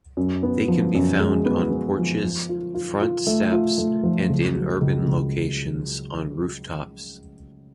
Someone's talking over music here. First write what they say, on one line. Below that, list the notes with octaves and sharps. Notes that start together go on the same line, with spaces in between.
They can be found on porches, front steps, and in urban locations, on rooftops.
F#2
B3
F3
F#2
G#3
B3
B3
F3
F3
F4
F4
F4
A3
F4
A3
F3
C#2
F#3
C#2
C#2